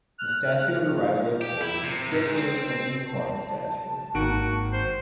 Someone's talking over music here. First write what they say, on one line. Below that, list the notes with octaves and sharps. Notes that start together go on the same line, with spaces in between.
A statue of a riderless horse is strictly an "equine statue".
F6 F#6
G4
E4
C3
G#2
C4
A5
G#1 D#3 A#3 F#4 D7
C5